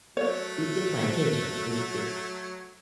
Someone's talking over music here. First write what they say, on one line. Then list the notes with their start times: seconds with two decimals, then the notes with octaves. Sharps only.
it gets my attention. It it
0.17 F#3 A3 C#5